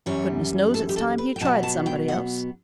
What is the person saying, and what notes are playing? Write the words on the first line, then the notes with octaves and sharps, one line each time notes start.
Goodness knows it's time he tried somebody else.
F#2 E3 G3 C#5
A4
G4
A4
B4
G5
B2 F#3 B3 A5
A5
G5
F#5